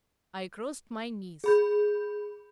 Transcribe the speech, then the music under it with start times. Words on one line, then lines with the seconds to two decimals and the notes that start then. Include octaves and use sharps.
I crossed my knees.
1.44 G#4 B5 G6